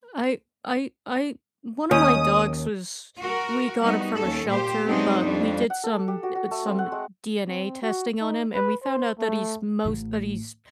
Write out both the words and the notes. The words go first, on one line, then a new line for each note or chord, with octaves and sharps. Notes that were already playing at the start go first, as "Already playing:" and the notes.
I I I one of my dogs was we got him from a shelter, but we did some uh, some DNA testing on him, and we found out that he's most that he's
D#2 C#4 D#6
F#4 A#4
G3 B3 D#4 F#4
D#2 C#4 A4
A#2 G4 C5
F#3 G#3 B3 C4 D4 D#4
F2 G3 D4
F#5
A4
G4
F#4
F#4
A3
C4
F#5
G#3
C4
F#4
D#4
B4
C5
A3
A1 A2